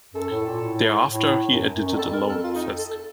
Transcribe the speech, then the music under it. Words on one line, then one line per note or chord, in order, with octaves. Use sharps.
Thereafter, he edited alone fasc.
F#2 A4
A2
A#2
A2
A2
F#2
F#2
F#2
F2
A4
F2
A#4
A4
F4
D#4
A4
A4
A4